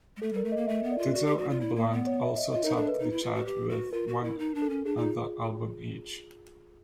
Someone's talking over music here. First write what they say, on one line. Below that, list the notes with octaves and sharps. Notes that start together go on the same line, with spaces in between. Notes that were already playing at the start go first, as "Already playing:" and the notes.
Dido and Blunt also topped the chart with one other album each.
G#3
A3 A4
G3 A#4
A3
A#3 D#5
A3 E5
B3
D5
F4
F#4 D5
G4
F#4
F4
E4
A#3
B3
C#5
E5
D#5
F4 D#5
D#4 A#4
D4 A4
B4
D#4
E4
F4
F#4
G4
F#4
F4 A#4
F#4
E4
D#4
D4
A4
C#4
D4 G#4
D#4 F4